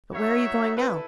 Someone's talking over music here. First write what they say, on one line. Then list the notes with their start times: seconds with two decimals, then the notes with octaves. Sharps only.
'But where are you going now?
0.12 D#4 F#4 C#5 E5
0.77 E4 A4 B4